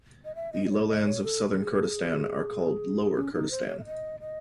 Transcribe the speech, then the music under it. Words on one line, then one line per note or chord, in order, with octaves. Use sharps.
The lowlands of southern Kurdistan are called lower Kurdistan.
D#5
E5
D#5
D#5
C#5
D#5
C#5
A4
A4
G#4
C#4
D#4
C5
C#5
E5
D#5
D#5